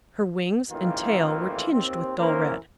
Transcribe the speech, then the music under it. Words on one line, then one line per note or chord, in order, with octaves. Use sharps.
Her wings and tail were tinged with dull red.
A1 F2 D#3 E3 A#3 F4
D#2 C4
E3 A#3 C#4 A#4 C5